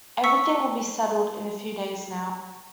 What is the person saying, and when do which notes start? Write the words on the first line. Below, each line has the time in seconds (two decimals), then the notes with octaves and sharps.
Everything will be settled in a few days now.
0.24 C#6 E6 B6 C#7